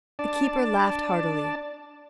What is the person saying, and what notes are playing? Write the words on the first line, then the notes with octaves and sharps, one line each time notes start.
The keeper laughed heartily.
D4 D5 A5